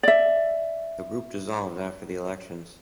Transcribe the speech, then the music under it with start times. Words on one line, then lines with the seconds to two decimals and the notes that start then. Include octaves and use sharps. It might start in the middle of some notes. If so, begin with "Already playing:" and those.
The group dissolved after the elections.
0.03 D5 E5